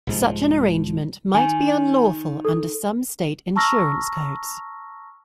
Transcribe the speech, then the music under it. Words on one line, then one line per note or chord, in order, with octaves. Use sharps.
Such an arrangement might be unlawful under some state insurance codes.
C2 G#2 F3
D#3 G#5
A4
A5 A#5 C#6 E6 F6 A#6